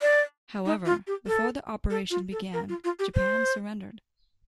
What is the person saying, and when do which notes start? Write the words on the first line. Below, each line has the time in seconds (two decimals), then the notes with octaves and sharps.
However, before the operation began, Japan surrendered.
0.02 D5
0.66 D#4
0.86 F4
1.07 G4
1.27 A4
1.90 A4
2.10 F4
2.32 A4
2.53 A#4
2.69 F4
2.84 F4
2.99 G4
3.15 C5